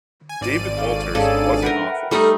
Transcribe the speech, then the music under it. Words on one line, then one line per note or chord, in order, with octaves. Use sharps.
David Walters was in office.
G#5
G#1 D5 D#7
C#3 A4 F5
G#2 C#4 D4 G#4 A4 C#5 F5
A#4 B4 E5 F#5 G5
G3 A3 D#4 A4 A#4 F6